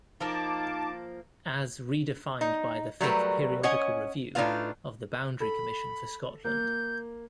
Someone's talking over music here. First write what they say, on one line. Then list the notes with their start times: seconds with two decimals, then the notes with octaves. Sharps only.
As redefined by the Fifth Periodical Review of the Boundary Commission for Scotland.
0.20 F3 A#3 D#4 A5 D6
2.41 D#4
3.01 F#3 G3 A3 A#4 B4
3.63 C#4 C#5 D#5 F#5 G#5
4.35 A2 D4 D#4 F4 B4 F5
5.40 A4 B5
6.45 A#3 G6